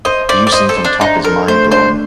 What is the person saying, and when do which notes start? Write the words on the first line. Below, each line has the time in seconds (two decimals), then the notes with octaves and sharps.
View seen from the top is mind-blowing.
0.05 C5 D#5
0.29 C5 D5
0.47 D5
0.52 C5 D#5
0.69 A4
0.77 C5
0.85 D4
1.01 D4 D#4
1.24 A4 A#4
1.48 A3 C5
1.72 D4 C5